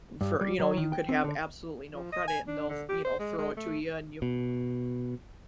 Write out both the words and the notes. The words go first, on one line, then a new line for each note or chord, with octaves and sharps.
for, you know, you could have absolutely no credit, and they'll, you know, throw it to ya, and you
G2
G3
F#3
D#3
G5
C4
D3
F3
D#5
G#5
D4
D3
G4
C5
G#3
G#3
A3
B2